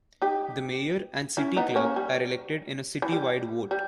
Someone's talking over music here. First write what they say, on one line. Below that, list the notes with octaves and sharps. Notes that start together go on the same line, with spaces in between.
The mayor and city clerk are elected in a citywide vote.
D#4 G4
C#4 E4
B3 D#4
A#3 C#4
G3
E3
G3
G3